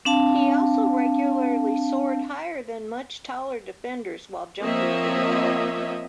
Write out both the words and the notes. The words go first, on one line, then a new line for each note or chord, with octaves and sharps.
He also regularly soared higher than much taller defenders while jumping for the ball.
C4 D4 F5 A5
F3 A#3 C4 C#5 D#5 E5